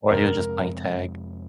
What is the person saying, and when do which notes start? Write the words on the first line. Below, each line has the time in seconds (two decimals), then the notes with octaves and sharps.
or he was just playing tag.
0.11 F2 C3 G#3 C4 A#4